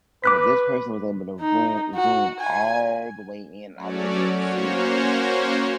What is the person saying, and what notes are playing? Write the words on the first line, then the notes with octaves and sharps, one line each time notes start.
but this person was able to voom zoom all the way in. I was able to see the,
B4 D6 F#6 B6
D#4
F#4
G#5
F#3 A3 C#4 F#4 C#5 D5
A#3 C#4 F#4 C5 C#5